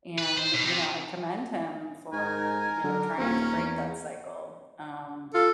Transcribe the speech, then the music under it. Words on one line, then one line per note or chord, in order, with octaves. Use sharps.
And, you know, I commend him for, you know, trying to break that cycle, um
B4
C5
B2
C3
G#2 A#4 G#5
D3 F#3
D#1 A#3 C4 C#4
E2
F4 A4